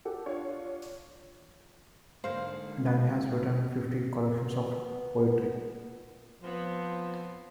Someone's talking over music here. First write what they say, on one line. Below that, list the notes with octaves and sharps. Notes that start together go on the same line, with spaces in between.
Dunn has written fifteen collections of poetry.
G4 A4 F#5
D4 F4 C#5
G#2 D3 A#3 C5 F5
B3
F3 B3 C4